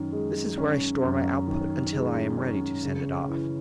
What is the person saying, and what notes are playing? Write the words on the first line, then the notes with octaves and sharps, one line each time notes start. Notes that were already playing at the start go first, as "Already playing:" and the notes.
This is where I store my output until I am ready to send it off.
Already playing: F#2 D#3
G#3
C#4
F#2
D#3
G#3
C#4
C#3
E3